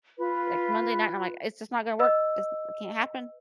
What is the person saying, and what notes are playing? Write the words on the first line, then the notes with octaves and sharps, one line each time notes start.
like, Monday night, I'm, like, "It's just not gonna work, It's it can't happen,"
F4 B4
B4 D#5 E6